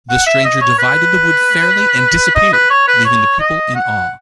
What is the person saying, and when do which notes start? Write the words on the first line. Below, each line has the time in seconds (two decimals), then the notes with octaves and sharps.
The stranger divided the wood fairly and disappeared, leaving the people in awe.
0.10 F#5
0.26 E5
0.45 D#5
0.61 C#5
0.79 B4
2.35 D#5
2.53 B4
2.70 C#5
2.88 B4
3.05 C#5
3.40 D#5
3.75 F#5